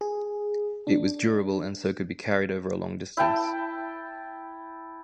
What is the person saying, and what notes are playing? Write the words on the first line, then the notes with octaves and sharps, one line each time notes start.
It was durable and so could be carried over a long distance.
G#4
D4
E4 G5 A5